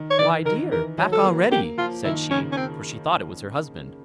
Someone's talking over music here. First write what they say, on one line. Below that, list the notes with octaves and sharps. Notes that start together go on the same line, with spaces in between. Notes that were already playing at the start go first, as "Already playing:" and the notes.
'Why, dear, back already!' said she, for she thought it was her husband.
Already playing: D#3
C#5
E3 D5
D#3 A#4
E3 A#4
F#3
A4
A#3
A#3 G4
F3 F4
D#3 E4
C#3 C#4
C#4
C4